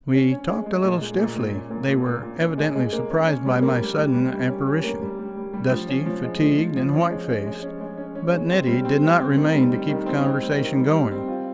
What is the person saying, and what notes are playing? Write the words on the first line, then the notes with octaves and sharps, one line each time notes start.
We talked a little stiffly--they were evidently surprised by my sudden apparition, dusty, fatigued, and white faced; but Nettie did not remain to keep the conversation going.
C#4
C#4
G#3
G#3
A#2
G#3
A#2
A#2
C#4
A#2
A#2
A#2
A#2
C#4
G#3
G#3
A#3
C#4
C#4
G3
A#3
G3
G3
G3
G3
C#4
C#4
A#3
G3
G3
G3
G3
F3
C#4
F3
G#3
F3
F3
F3
C#4
G#3
C#4
G#3
C#4
G#3
C#4
C#4
G#3
C4
G3
C4
C4
C4
D#3
G3
G3
D#3
C4
C4
G3
D#3
G3
G3
C4
F4